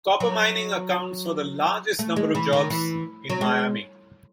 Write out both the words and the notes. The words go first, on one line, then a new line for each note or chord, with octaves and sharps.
Copper mining accounts for the largest number of jobs in Miami.
F#3
A3
G#3
E3
D#3
E3
F#3
G#3